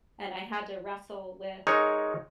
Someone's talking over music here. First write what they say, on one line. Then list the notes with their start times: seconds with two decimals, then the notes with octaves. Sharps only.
and I had to wrestle with
1.67 G#3 D#4 A#4 C#5